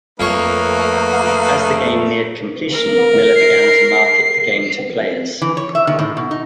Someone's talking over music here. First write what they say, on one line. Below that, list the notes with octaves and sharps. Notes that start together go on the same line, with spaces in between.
As the game neared completion, Miller began to market the game to players.
F2 A3 A#3 D#4 B4 C#5
A#4
C7
E3
C#5
E5
D#3
A2
B2
D#4